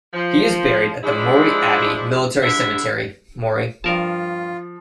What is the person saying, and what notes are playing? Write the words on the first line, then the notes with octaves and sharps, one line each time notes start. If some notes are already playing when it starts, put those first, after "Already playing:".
He is buried at the Morey Abbey Military Cemetery, Mory.
F3
F3 G#3 D4 E4
D3 G3 E4 E5
G2 F3 F4 A#4 A5